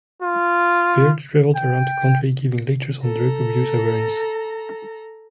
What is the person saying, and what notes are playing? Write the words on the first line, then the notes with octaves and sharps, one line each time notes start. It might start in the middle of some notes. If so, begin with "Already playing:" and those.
Beard traveled around the country, giving lectures on drug-abuse awareness.
F4
G5
A4 A#5